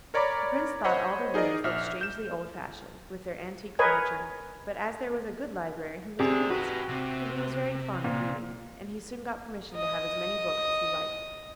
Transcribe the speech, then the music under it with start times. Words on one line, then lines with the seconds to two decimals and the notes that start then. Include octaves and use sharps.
The Prince thought all the rooms looked strangely old-fashioned, with their antique furniture, but as there was a good library he was pleased, for he was very fond of reading, and he soon got permission to have as many books as he liked.
0.14 A#4 C#5 D5 A#5 B5 D6
0.84 C5 C#5 D#5 F#5 B5
1.34 D#4 G#4 A#4 D5 D#5
1.64 A#1 E5 F6
2.01 G6 E7
3.79 A#4 B4 C#5 D#5 G#5
6.19 C3 G#4 A4 D5
6.50 F#4 G4 B4
6.89 C3
8.04 A#2
9.74 D#5 D#6